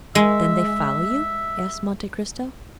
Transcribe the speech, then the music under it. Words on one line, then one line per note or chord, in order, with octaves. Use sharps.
"Then they follow you?" asked Monte Cristo.
G#3 E5